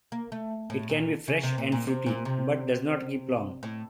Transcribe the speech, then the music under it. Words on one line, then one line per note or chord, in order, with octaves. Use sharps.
It can be fresh and fruity, but does not keep long.
A#3
A3
A2
A#2
C#3
C3
A#2
A#2
C3
A#2
C3
A2